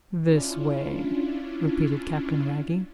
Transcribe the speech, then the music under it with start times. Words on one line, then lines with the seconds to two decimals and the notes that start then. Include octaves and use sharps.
"This way," repeated Captain Wragge.
0.26 C#4 D4 E4 F4